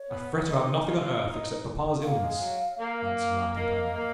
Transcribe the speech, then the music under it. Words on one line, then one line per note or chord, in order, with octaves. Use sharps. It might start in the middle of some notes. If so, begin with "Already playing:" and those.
'I fret about nothing on earth except papa's illness,' answered my companion.
Already playing: C#5
B3
D#4 D#5
F4
D#4
A#3 F5
G#3
F#3
A#3
A#3 D#5
A#3